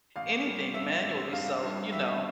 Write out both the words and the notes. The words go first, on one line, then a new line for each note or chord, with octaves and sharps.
anything manually, so, you know.
A1 F5
G3
G2 E5
A1
G2 F5
G2
G3 E5